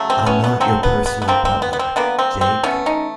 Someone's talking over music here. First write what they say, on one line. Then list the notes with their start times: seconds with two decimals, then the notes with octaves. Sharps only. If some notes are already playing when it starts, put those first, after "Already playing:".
I'm not your personal butler, Jake.
Already playing: C#3 F#3 A3
0.10 C4
0.26 B3 C#4
0.44 B3
0.60 C#3 F#3 A3 C4
0.83 B3
1.06 B3
1.22 B3
1.28 D3 G3 A#3 C4
1.45 C4
1.62 B3
1.73 B3
1.79 C4
1.96 D3 G3 A#3 B3
2.19 C4
2.41 C4
2.63 E3 A3 B3 C#4
2.86 C#4 D#4